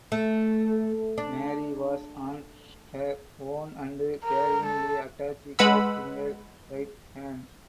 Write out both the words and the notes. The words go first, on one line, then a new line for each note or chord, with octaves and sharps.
Mary was on her own and carrying the attache case in her right hand.
A3
D4
A#4
A4
G#3 B4 F#5 B5 E6